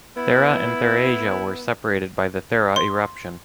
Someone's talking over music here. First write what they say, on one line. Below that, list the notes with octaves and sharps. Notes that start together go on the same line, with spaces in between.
Thera and Therasia were separated by the Thera eruption.
B3 E4
C6